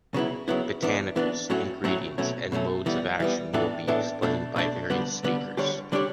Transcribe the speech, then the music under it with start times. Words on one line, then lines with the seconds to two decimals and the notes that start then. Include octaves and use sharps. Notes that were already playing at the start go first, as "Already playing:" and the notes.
Botanicals, ingredients and modes of action will be explained by various speakers.
0.14 C#3 F#3 B3 E4
0.48 C#3 F#3 B3 E4
0.82 E3 B3 D4
1.16 E3 B3 D4
1.50 A2 F#3 A3 C#4 F#4
1.84 A2 F#3 A3 C#4 F#4
2.18 B2 F#3 A3 C#4
2.52 B2 F#3 A3 C#4
2.86 E3 G3 B3
3.20 E3 G3 B3
3.53 A2 E3 B3 D4 A4
3.88 A2 E3 B3 D4 A4
4.23 B2 A3 D4
4.56 B2 A3 D4
4.90 D3 G3 B3
5.24 D3 G3 B3
5.57 D3 G3 D4 G4 C#5
5.92 D3 G3 D4 G4 C#5